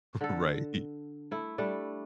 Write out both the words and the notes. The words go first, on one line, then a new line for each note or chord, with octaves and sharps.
Right, he
D3 A4
A3 E4
G3 A3 D4